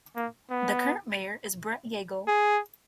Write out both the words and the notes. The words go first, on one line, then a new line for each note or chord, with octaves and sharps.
The current mayor is Brett Yagel.
A#3
B3
G#4